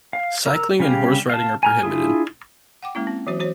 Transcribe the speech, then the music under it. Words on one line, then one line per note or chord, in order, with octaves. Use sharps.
Cycling and Horse Riding are prohibited.
F5
A#4 A#5 E6
C#3 G3 G4 F5
F5 A5
G#5 A#5 F6
D4 E4 F4 G#4
F#5 G5 D6
G#3 A#3 C#4 E4
C4
E3 F#3 F#4 C5
E3 F#4 C5 C#5